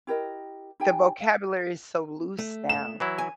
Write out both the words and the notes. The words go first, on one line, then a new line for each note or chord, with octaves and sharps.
the vocabulary is so loose now.
E4 G4 A#4 D#5
D#4 G4 G5 G#5
F5
A3
E7
E3 F#3 E4
G#5